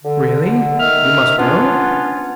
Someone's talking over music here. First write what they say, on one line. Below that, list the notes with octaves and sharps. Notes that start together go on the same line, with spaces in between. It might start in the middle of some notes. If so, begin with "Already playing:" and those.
Really--you must go?
D3
D#3 E5 F6
B3 C#4 D4 F4